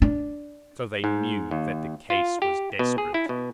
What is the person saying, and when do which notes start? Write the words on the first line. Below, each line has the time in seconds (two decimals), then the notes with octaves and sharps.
So they knew that the case was desperate.
0.02 D4
1.04 G#2
1.51 D#2
2.10 F4
2.42 G4
2.79 B2
2.98 G#4
3.14 E4
3.29 B2